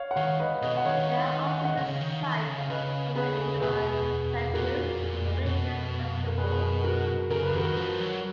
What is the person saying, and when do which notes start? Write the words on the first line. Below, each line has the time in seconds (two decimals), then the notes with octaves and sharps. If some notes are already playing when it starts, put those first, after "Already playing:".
They are often the site of an annual "tsechu" or religious festival.
Already playing: C#5 F5
0.11 F#5
0.16 D#3 C#5 F5
0.40 B4 D#5
0.62 B2 B4 D#5
0.77 F#5
0.85 D#3 C#5 F5
1.16 C#5 F5
1.46 F#5
1.65 D#5 F#5
1.77 C#3 C#5 F5
2.01 D#3
2.24 D#3
2.47 C#3
2.58 F5
2.69 C#3 B4 D#5
3.15 C#3 G#4 B4
3.61 B2 G#4 B4
4.53 A#2 F#4 A#4
5.46 B2
6.27 A#4
6.38 G#4 B4
6.84 F#4 A#4
7.30 C#3 A#4
7.43 B4
7.53 D#3 F#4 A#4
7.77 F3
8.00 F#3